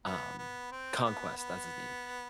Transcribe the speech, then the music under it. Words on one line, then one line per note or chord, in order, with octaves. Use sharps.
Um, Conquest, that's his name.
B3
B3
C4
B3
B3